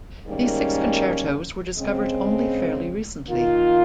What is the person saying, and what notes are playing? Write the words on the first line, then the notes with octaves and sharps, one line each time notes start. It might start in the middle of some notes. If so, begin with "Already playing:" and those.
These six concertos were discovered only fairly recently.
G#2 D#3 G3 A#3 C#4
C#3 G#3 C4
D#3 A#3 F4